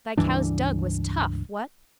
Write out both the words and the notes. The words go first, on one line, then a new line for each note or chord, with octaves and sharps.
Thy cow's dug was tough, what?
C#2 G2 E3 D4